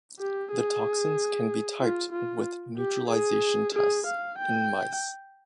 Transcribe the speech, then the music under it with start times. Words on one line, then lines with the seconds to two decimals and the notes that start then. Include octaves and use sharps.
The toxins can be typed with neutralization tests in mice.
0.19 G4
0.52 G#4
1.81 F4
2.13 F4
2.77 G4
3.09 G#4
3.74 G#4
4.06 F5
4.38 G5